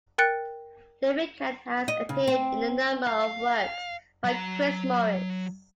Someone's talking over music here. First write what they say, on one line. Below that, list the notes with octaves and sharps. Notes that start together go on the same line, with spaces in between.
David Cann has appeared in a number of works by Chris Morris.
A#4 G5 F#6 A6 C#7
D#5
C#3
C4
F5
F#3 A#5